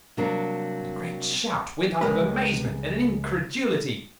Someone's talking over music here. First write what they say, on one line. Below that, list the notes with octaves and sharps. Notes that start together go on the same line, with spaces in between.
Then a great shout went up of amazement and incredulity.
C3 F#3 G3 A#3 D4
C#2 G#3 A#4 B4